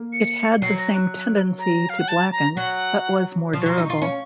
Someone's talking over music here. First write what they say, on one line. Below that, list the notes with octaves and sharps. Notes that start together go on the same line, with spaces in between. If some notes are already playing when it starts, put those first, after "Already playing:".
It had the same tendency to blacken, but was more durable.
Already playing: A#3
C#7
F#3 C7
A#6
F#6
A#5
F5
F#5
A5
A#5
F#3 F#5
F3
C#6
F#3 C6
D#4
F4 C#6
C6
C#4 C#6